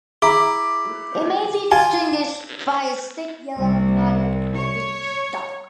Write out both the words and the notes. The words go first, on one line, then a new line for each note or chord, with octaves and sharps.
It may be distinguished by its thick, yellow knotted rootstock.
E4 G#4 A#5 D6
F4 G#5
C2
C#5